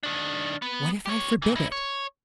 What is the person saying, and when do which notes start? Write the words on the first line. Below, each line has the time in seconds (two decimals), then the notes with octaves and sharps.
"What if I forbid it?"
0.03 D#3 D4
0.62 B3
1.06 G4 C#5
1.42 A#2 E3
1.56 D#4 E4
1.72 C#5